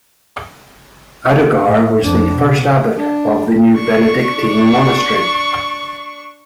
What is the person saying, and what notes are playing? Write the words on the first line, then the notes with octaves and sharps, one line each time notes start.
Audogar was the first abbot of the new Benedictine monastery.
A2
F2 D4
B2
D4
D4 C#6